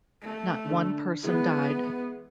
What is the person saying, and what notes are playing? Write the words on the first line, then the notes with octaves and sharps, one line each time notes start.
Not one person died.
A3
D3 E6
E3 G#3 B3 E4